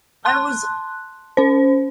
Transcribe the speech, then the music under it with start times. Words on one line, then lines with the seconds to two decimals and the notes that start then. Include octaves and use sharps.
I was
0.25 A5 C6 F#6
1.37 C#4 C5